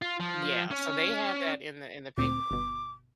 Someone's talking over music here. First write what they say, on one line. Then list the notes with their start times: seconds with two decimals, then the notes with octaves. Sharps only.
Yeah, so they have that in the in the paperwork.
0.02 F4
0.20 F3
0.71 C#4
2.17 D2 A#2 C4 D6
2.51 G1 B2